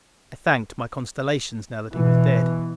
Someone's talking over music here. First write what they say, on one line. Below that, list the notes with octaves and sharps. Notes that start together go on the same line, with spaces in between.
I thanked my constellations now that he was dead.
B2 E3